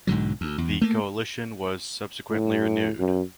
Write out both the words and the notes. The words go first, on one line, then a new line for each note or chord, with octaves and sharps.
The coalition was subsequently renewed.
B1 G#2 D3 F#3
D2
E2
A3 A#3
A2
F#2